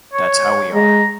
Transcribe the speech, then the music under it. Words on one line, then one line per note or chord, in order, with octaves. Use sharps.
That's how we are.
C#5
G#3 A#5